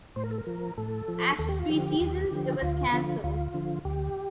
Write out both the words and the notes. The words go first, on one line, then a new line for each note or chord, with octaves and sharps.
After three seasons, it was canceled.
A2 C5
A#4
A4
A#4
F3
A2 A4
F3
D#2 A4
G4
F4
D3 F3 G4
D#2
D3 F3
D2 F4
D3 F3
D2 F4
D3 F3
D2 G4